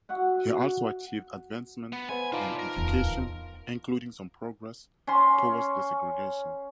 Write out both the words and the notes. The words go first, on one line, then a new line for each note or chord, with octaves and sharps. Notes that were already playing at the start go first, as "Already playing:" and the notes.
He also achieved advancements in education, including some progress toward desegregation.
F#4 E5 F#5
B3
B3 C5 E5 G#5
F3 D#4 F4 D5 E6
A#4
D1 E2 E3
C#4 C6